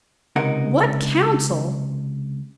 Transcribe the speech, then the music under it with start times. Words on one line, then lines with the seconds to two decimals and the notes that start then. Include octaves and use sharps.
"What council?"
0.36 C#2 C3 D#4 A#4 F#5